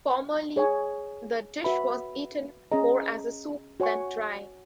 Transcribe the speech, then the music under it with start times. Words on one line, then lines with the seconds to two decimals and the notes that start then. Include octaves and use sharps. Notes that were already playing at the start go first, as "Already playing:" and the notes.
Formerly, the dish was eaten more as a soup than dry.
0.56 G#4 C#5 G#5
1.64 F#4 B4 E5 B5
2.72 C#4 G#4 D#5 A#5
3.80 F#4 C#5 G#5 C#6